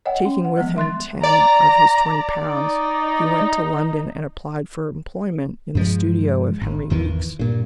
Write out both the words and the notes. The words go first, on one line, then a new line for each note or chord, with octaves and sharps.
Taking with him ten of his twenty pounds, he went to London and applied for employment in the studio of Henry Weekes.
C#5 D#5 F#5 G5
C#4
F#5
E3 F3 G3 G#3 B3
E5 C6 F#6 A6
D5 A#5
D#4
G2 F3 G#3
G#1
G#1 E2 D#3 E3
G2 A#2